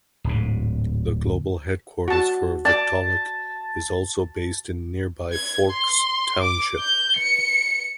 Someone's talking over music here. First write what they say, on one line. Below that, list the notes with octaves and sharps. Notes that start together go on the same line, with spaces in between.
The global headquarters for Victaulic is also based in nearby Forks Township.
D1 G#2
F#4 A5
D5 A5
G#6
C6
D6
G6
C#7